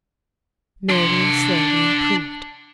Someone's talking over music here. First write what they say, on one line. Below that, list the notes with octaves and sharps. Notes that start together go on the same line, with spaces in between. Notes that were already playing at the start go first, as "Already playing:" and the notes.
Marian slowly improved.
D4 C6